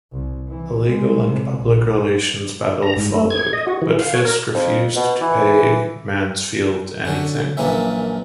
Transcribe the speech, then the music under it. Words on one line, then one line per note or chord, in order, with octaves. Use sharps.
A legal and public relations battle followed, but Fisk refused to pay Mansfield anything.
C2
E3
G#3
C3
A#1
A#5
G#2
A3
G#6
D#5
F#4
E3
F5
C#5
A#4
F2
B2
E3
D3 C#4 F#4
A#1 F#2 E3 A#3 C#4 E5